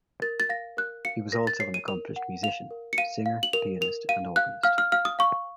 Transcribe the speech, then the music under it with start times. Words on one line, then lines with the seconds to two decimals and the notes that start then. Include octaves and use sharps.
He was also an accomplished musician - singer, pianist and organist.
0.22 A#4 A6
0.40 A6
0.49 F5 A#6
0.77 A#4 F#6
1.05 F5 C#7
1.32 A#4 A#6
1.47 A6
1.60 C#5 C7
1.74 D#7
1.88 A#4 F7
2.16 F#5
2.43 F5 F7
2.71 A#4
2.93 C#7
2.98 F5 D#7
3.26 F5
3.43 F#7
3.53 A#4 F7
3.81 A#4 F7
4.09 F5 D#7
4.36 F5 F#6
4.63 F5 F6
4.78 F6
4.92 F5 F6
5.05 D#6
5.19 F5 C#6